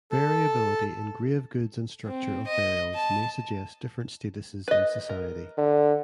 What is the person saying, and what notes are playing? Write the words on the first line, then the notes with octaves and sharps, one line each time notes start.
Variability in grave goods and structure of burials may suggest different statuses in society.
A4
C4
D#5
A5
B4 D#5
A#4
D3